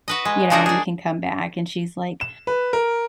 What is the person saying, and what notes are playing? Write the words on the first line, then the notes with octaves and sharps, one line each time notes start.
you know, we can come back." And she's like,
F#4 B4 D#5
G#3
C#3 G#3 D4 D#4 F#4 A#4
G#4 D5
E7
B4
A#4